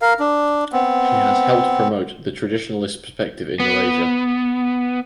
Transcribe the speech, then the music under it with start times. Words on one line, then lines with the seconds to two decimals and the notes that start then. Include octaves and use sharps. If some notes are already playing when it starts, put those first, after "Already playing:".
She has helped promote the traditionalist perspective in Malaysia.
0.02 A#4 F5
0.20 D4
0.73 B3 C4
3.60 B3